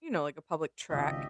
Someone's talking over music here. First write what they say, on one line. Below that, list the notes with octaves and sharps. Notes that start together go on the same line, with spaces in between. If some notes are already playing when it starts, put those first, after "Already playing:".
you know, like a public track
G#1 C#2 G4 D#5 E5